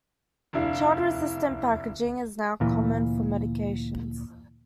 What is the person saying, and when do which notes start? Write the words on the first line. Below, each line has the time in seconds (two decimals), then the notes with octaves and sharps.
Child-resistant packaging is now common for medications.
0.53 F1 D4 E4 F5
2.60 D2 A#2 E3